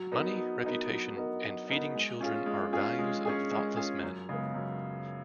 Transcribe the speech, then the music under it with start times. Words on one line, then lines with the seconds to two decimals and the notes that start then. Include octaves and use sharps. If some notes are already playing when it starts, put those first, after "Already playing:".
Money, reputation and feeding children are values of thoughtless men.
Already playing: F#3
0.12 B3 D#4 A#4 D#5
0.38 F#3
0.64 B3 D#4 A#4 D#5
0.90 F#3
1.17 B3 D#4 A#4 D#5
1.42 F#3
1.68 B3 D#4 A#4 D#5
1.95 G#3
2.21 C#4 F4 G#4
2.46 G#3
2.73 C#4 F4 G#4
2.99 G#3
3.25 C#4 F4 G#4
3.51 G#3
3.77 C#4 F4 G#4
4.03 F#2
4.29 C#3 G#3 B3
4.54 F#2